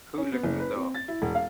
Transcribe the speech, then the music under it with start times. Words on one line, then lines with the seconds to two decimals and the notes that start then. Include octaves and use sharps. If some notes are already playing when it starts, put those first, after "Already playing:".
Who locked the door?
0.18 C#4
0.32 B3
0.43 F#1
0.60 B4
0.76 C4
0.95 A6
1.08 E4
1.22 E1
1.35 F5